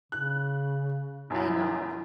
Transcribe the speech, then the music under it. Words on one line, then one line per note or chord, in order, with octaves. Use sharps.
I know.
C#3 F#6
B1 F#2 E4